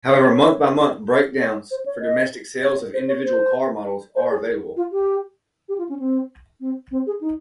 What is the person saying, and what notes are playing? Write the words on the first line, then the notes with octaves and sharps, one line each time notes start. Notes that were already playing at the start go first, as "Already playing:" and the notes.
However, month by month breakdowns for domestic sales of individual car models are available.
C5
C#5
C#5
C5
C#5
D#5
C#5
C5
C#5
C5
C5
G#4
F4
G4
G4
F4
C#4
C4
C4
C4
G#4
D#4